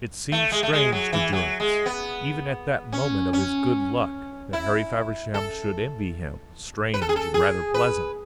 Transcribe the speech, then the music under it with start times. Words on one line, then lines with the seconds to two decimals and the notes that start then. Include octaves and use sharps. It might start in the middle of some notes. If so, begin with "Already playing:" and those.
It seemed strange to Durrance, even at that moment of his good luck, that Harry Feversham should envy him--strange and rather pleasant.
0.32 A3
0.52 G#3
0.63 A3
0.73 G#3
0.92 F#3
1.13 E3
1.33 F#3
1.60 G#3
1.86 B3
2.92 C#4
3.33 C#4
4.53 E4
5.34 A4
6.94 B4
7.02 A4
7.09 G#4
7.16 A4
7.34 G#4
7.74 B4